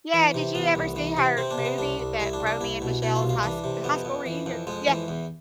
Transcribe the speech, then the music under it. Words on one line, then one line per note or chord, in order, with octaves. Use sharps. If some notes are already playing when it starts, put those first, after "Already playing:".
Yeah. Did you ever see her movie that Romy and Michelle's High S High School Reunion? Yeah.
E3
C3
E3 B3
C2
E3
C3
C3 C4
D4
C3
B3
C2 D4
C2
C2 E4
D4
C2
D4
C2 E4
B2
B2 E4
F4
C2
F4
E3 D4
C3
F2 B3
F2
E3
F2
F2 G#3
E3
E2